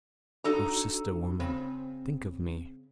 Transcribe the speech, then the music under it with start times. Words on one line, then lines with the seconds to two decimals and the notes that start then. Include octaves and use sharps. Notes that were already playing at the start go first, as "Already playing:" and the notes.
O sister-woman, think of me.
0.44 D4 D#4 F#4 A4 A#5
1.40 C#3 C4